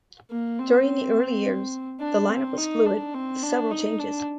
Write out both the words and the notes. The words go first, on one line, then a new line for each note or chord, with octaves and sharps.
During the early years, the lineup was fluid, with several changes.
A#3
C4
D4
C4
D#4
D4
C4
D4
D#4
D4